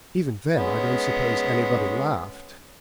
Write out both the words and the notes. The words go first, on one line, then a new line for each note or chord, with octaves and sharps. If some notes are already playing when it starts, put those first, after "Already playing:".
"Even then I don't suppose anybody laughed."
G#3 B3 C#4